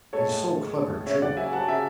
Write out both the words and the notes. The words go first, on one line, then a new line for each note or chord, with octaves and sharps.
"He's so clever, too!"
G#3 A4 C#5
A2
A2
G#3
G#3
A2
C#3 C#5 E5
C#3 D5 F#5
F#3 E5 G#5
F#3 F#5 A5
C#3 E5 G#5